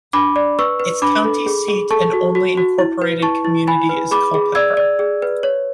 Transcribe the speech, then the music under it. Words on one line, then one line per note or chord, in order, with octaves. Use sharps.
Its county seat and only incorporated community is Culpeper.
D4 B5 D6
D5
B4 C#6 E6
B4
D4 B5 D6
A4
G#4
G#4
A4 A5 C#6
F#4
F#4
F#4
E4
B4
E4 A5 C#6
E4
E4 G#5 B5
B4
G#4 B5 D6
G#4
D5 E6 G#6
D5
G#4
B4
C#5